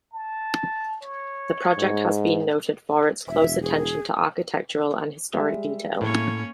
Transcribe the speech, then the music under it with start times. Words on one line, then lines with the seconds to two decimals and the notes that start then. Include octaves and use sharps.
The project has been noted for its close attention to architectural and historic detail.
0.13 A5
1.01 C#5
1.78 G#2
3.28 E1 E5
3.62 G#4
5.33 G3 G#3 E5
6.01 A2 A#3 C#4 C#5